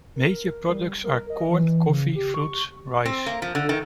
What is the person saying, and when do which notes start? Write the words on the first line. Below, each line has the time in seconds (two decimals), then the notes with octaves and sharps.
Major products are corn, coffee, fruits, rice.
0.15 A#4
0.69 G3
1.03 A#4
1.30 D#5
1.49 E3
1.87 C#3
2.15 G4
2.34 C#6
3.05 C4
3.26 A#3
3.42 F3
3.55 D3
3.69 D#3